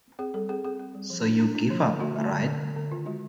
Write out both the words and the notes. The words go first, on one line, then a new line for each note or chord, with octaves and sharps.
So you give up, right?
C4 G#4
G3 A4
C4 G#4
C4 G#4
C4
G3
F3
D4
D4
D4
F3
D3
A3 F#4
A3
D3
D3
D3
D3
D#3 F4
G#3 F#4